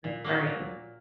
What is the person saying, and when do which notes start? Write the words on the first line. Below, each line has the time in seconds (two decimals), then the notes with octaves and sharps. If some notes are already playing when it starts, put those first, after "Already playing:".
That's very good.
0.04 A#2
0.24 F#3 A#3
0.46 A#2